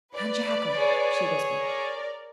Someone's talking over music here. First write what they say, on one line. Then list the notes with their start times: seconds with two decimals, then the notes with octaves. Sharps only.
"John Jago!" she whispered.
0.15 B4 D5
0.73 G#4 C#5
1.59 A#4 D5